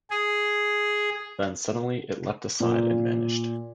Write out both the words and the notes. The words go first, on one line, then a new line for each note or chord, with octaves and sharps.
Then suddenly it leapt aside and vanished.
G#4
A#2